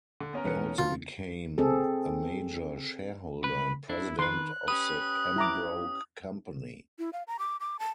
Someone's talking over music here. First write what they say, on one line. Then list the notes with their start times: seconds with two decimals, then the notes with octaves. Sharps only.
He also became a major shareholder and president of the Pembroke Company.
0.20 D3
0.33 B3 C#4 A#4
0.44 E1 B4 C#7
0.78 D2 F4
1.58 C4 G#4 A4
3.44 C2 B4 B5
3.90 D4 E4
4.19 D#3 B4 C6 F#6
4.68 C#4 G4 B4 D#6
5.36 E4 A#5 D6
6.99 E4
7.13 F5
7.27 A#5
7.39 D6
7.60 D6
7.79 A5